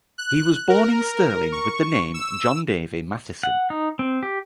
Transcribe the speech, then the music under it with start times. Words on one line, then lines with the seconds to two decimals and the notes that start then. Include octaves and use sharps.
He was born in Stirling with the name John Davie Mathieson.
0.18 F#6
0.69 A#4
1.52 C#6
2.14 E6
3.43 F#5
3.70 D#4
3.99 C4
4.23 G4